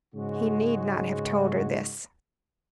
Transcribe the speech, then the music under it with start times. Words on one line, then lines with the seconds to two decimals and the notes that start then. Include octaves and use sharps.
He need not have told her this.
0.15 G#2 C#3 G#3 F#4